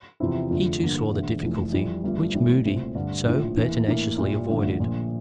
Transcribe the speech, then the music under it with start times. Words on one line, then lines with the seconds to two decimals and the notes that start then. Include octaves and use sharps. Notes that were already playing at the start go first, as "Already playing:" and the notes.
He too saw the difficulty which Moody so pertinaciously avoided.
0.20 E2 C3 F3 C4 E4
0.51 F2 D3 F3 A3
0.80 G2 D3 F3 A#3
1.11 E1 D2 D3
1.42 F1 F2 E3 A3
1.73 F2 E3 G3
2.03 G1 G2 F3 A3
2.34 A1 A2 G3 A#3
2.65 C2 A#2 A3 C4
2.95 G2 D3 A3
3.26 A#1 A2 F3
3.57 E2 E3 A#3
3.88 A2 E3 A#3 E4
4.18 C2 A#2 G3
4.49 A1 G2 D3 F3 A3
4.80 A#1 A#2 F3